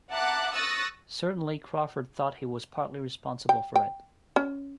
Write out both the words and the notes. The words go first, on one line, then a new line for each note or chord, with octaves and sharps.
Certainly Crawford thought he was partly responsible for it.
E5 F#5 A5 A#5 D6 F#6
C#6 D#6 E6 F#6 A6 A#6
G5
G5
C#4